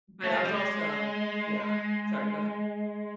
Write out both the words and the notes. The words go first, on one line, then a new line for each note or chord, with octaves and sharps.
But I was also Yeah, sorry, go ahead.
A3
G#3
G3
G#3